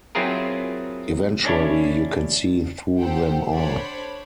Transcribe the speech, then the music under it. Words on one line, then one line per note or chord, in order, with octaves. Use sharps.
Eventually you can see through them all.
F#3 C4 E4 F4 G#4 A#4
C#4 D4 E4 C#5
G4 A4 C5 F#5 G5
D4 C5 C#5 B5